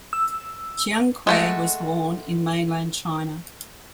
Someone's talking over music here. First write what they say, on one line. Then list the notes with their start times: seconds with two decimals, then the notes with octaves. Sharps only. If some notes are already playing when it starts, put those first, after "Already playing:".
Chiang Kuei was born in mainland China.
0.13 E6
1.27 G#3 A3 F#4